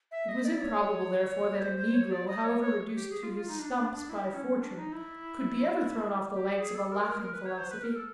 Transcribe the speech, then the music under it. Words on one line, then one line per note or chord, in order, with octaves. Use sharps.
It was improbable, therefore, that a negro, however reduced to his stumps by fortune, could be ever thrown off the legs of a laughing philosophy.
E5
D#5
D5
C#5
C5
C5
C#5
D5
D#5
C#5
C#5
G4
G#4
F4
F4
D#4
D4
D4
D4
E4
C#4
D4
D#4
E4
G4
G#4
A4
A#4
A#4
A#4
B4
C#5
C5
B4
A#4
A4